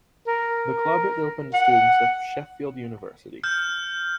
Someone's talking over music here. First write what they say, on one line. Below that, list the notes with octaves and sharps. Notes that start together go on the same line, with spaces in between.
The club is open to students of Sheffield University.
A#4
F#5
F6 G6